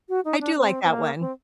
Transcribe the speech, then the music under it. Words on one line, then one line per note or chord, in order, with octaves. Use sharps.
I do like that one.
F#4
D#4
D4
C4
C4
A#3
C4